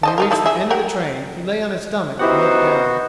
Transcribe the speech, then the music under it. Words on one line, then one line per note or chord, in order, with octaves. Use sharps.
When he reached the end of the train he lay on his stomach and looked down.
C5 D#5 A5
D#4 G4 A#4
D#4 E4 A4
G#4 E5
G4 A#4 F#5
F#2 B3 D#4 E4 F#4 G4 C5 F#5